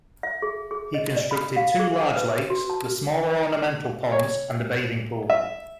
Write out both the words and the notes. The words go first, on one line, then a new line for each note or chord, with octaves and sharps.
He constructed two large lakes, the smaller ornamental ponds and a bathing pool.
E5
G#4
G#4
D#5
D5
B5
F5
G#4
G#5
B4
F#4
A5
C#5
E5